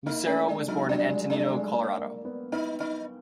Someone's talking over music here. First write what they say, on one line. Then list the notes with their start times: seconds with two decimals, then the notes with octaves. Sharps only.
Lucero was born in Antonito, Colorado.
0.06 A#3 D#4
0.27 A3 C#4
0.48 G#3 D4
0.68 F#3 D#4
0.88 G3 D4
1.09 G#3
1.30 A3 D4
1.51 G#3
1.71 A#3
1.98 A#3
2.25 B3
2.52 B3 D#4
2.80 D#4